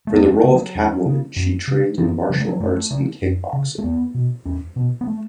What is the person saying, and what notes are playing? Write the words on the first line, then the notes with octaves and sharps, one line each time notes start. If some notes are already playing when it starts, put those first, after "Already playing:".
For the role of Catwoman, she trained in martial arts and kickboxing.
A3
E2 B3
A3
C#3
F#3
E2
C#3
F#2
C#3
F#2 E3
C#3 F#3
A3
F#3
F#2 A3
C#3
F#2
C#3
A3
E2 B3
B2
E2 C#4
B2 B3
B3
A3